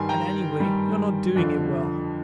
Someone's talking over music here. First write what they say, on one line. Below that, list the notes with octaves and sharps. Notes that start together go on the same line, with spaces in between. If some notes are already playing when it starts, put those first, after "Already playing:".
And anyway, you're not doing it well.
Already playing: G2 D#3 G3 G#5 C6
G5 A#5
G2 D#3 G3
F2 D3 F3